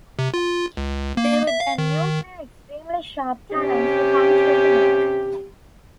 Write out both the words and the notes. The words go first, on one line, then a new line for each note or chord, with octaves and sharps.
They would then use their extremely sharp talons to puncture the neck.
C3
F4
C#2
A#3
E5
F5
D#3
C3 C#4 G4